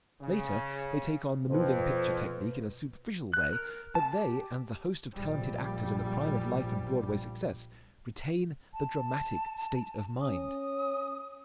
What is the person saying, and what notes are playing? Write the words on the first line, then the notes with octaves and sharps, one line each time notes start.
Later they take on the moving picture technique in a superficial way, but they, and the host of talented actors in the prime of life and Broadway success, retain the dramatic state of mind.
C#3
F2 B2 B4 C5
F#6
A#4
A5
G4
A#1 G3
A5
C#4 D#6